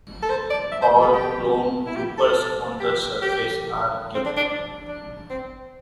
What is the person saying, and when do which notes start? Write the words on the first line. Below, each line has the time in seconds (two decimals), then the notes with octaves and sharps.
All clone troopers on the surface are killed.
0.22 A4
0.29 C5
0.50 D5
0.72 E5
0.82 C5
1.02 A4
1.14 G4
1.86 E4
1.96 G4
2.17 A4
2.80 G4
3.22 G4
4.15 C4
4.25 D4
4.36 D4
4.87 D4
5.30 C4